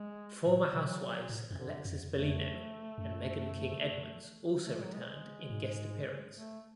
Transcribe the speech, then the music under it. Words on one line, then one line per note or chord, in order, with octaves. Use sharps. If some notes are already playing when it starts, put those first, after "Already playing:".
Former housewives Alexis Bellino and Meghan King Edmonds also returned in guest appearance.
Already playing: G#3
A2 F#3
B2
A2
F#2
D3
F#2
F2
F2 A3
F#2
A3
G#3
F#3
G#3
G#2
A3